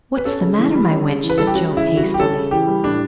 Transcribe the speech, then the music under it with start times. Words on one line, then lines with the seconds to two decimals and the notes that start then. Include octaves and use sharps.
"What's the matter, my wench?" said Job, hastily.
0.17 B4
0.25 C#4 A4
0.41 C#3
0.58 E3
0.74 G3
0.90 C#4
1.07 C#3
1.23 E3
1.30 B4
1.38 G3 A4
1.47 G4
1.55 C#4 F#4
1.71 C#3
1.77 E4
1.87 E3
1.97 F#4
2.03 G3
2.14 G4
2.19 C#4 A4
2.36 C#3
2.51 E3 G4
2.67 G3
2.83 A2 D4